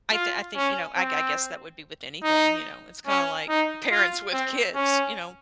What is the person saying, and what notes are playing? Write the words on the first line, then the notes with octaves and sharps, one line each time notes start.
I think I think, you know, I I guess that would be with anything, you know? It's kinda like parents with kids, you know?
F4
C#4
C4
D#4
C#4
D#4
F4
C4
C#4